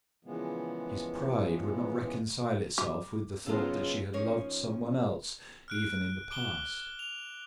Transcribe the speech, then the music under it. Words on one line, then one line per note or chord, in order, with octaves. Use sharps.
His pride would not reconcile itself with the thought that she had loved some one else, even in the past.
A#2 C#3 E3 F3 G#3 B3
D6
C#3 F#3 G#3 B3 F4 A4
F3 C#4 D#4 A#4 C#5
F6 F#6 D7
D6 D7 G7
F7